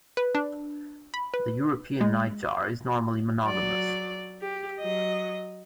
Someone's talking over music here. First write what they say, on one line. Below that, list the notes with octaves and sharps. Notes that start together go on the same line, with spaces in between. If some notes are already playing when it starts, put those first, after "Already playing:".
The European nightjar is normally monogamous.
B4
D4
B5
B4
G#3
F#3 D5
G4
F#3 D#5